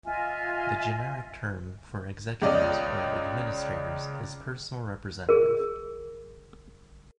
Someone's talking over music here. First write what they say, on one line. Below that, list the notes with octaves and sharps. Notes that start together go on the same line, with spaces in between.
The generic term for executors or administrators is personal representative.
F4 D#5 E5 G#5
C#2 C#3 D5 D#5
G#4 A#4